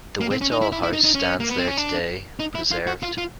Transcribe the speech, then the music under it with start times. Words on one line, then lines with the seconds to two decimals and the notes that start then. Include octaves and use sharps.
The Whitall House stands there today, preserved.
0.21 A#3
0.30 C4
0.41 C#4
0.52 D#4
0.62 E4
0.72 E4
0.83 E4
0.93 D#4
1.04 D#4
1.15 C#4
1.40 A#3
1.49 B3
1.58 C4
1.68 C#4
1.77 D4
2.40 D#4
2.55 E4
2.71 F4
2.87 F#4
3.03 F4
3.18 F4